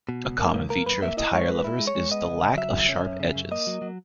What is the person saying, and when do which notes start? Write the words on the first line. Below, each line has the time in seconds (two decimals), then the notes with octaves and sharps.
A common feature of tire levers is the lack of sharp edges.
0.09 B2
0.24 C#2
0.40 A#3
0.55 C#2
0.70 A#3 A#4
0.86 F#2 B4
1.02 A#3 E5
1.17 E4 D#5
1.33 G#3 C#5
1.48 G#3 B4
1.64 E4
1.79 G#3
1.87 C#5
1.95 G#3
2.11 B3 D#5
2.26 C#2
2.42 C#3
2.57 F#3 E5
2.73 C#3
2.89 C#4
3.05 F#2
3.20 C#3
3.35 F#2
3.51 A#3 D#5
3.67 F#3
3.82 F#3